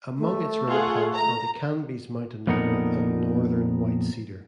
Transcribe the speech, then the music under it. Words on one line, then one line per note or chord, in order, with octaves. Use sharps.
Among its rare plants are the Canby's mountain lover and the northern white cedar.
A3
F4 G#4 F#5
A#5
F2 A#2 B3 D#4 A#4 F#5